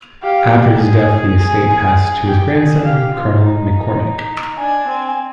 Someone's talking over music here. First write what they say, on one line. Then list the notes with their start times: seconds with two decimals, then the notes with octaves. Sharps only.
After his death, the estate passed to his grandson, Colonel McCormick.
0.23 G4 F5
0.52 G4
0.81 G#4
1.10 G#5
1.39 G#5
1.67 G#5
2.26 G4 G5
2.55 G#4
2.84 G4 F5
3.13 F4
3.43 D#4
4.58 D4 G#5
4.87 C4